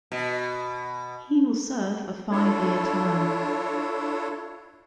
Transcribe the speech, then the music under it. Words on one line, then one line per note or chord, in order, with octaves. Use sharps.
He will serve a five-year term.
B2
D4 E4 F4 A4 C#5